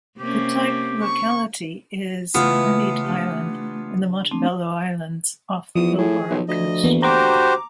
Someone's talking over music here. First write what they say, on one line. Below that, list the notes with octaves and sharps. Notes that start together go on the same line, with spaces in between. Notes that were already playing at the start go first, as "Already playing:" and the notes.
The type locality is Hermite Island in the Montebello Islands off the Pilbara coast.
C3 A#3 C#4 G4
C#6
C#3 E3 A3 B3 E4 F4
D4 G4
A3 C4 D4
E2 F3 D#6
A2 G#4
B1
D2 D#5
E3 A#3 B3
F#4 G4 C5 A#5 D6